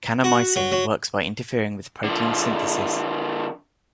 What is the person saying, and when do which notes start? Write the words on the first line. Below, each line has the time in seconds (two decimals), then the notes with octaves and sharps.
Kanamycin works by interfering with protein synthesis.
0.24 F#4
0.56 F#3
0.72 F#3
2.04 D3 F3